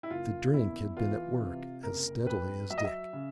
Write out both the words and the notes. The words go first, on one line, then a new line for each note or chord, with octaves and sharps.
The drink had been at work as steadily as Dick.
E4
F#1 F4
E2 E4
E3 F4
C3
F#1 A#4
F2 B4
F#3 E5
D#5
E5
C#3